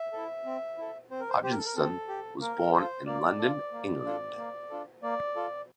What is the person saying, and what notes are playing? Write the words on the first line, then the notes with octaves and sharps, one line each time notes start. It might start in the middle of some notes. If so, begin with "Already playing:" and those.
Hodgson was born in London, England.
Already playing: E5
E4 A4
C4
E4 A4
C4 C5
A#4
C5
G4 C5
A#4
A4
A#4
C4 A4
G4
A#3 A#4
F4 A4 C5
A#3 D5
F4 A4
A#3
D4 F4 A4
A#3
D4 F4 A4
A#3 D5
F4 A4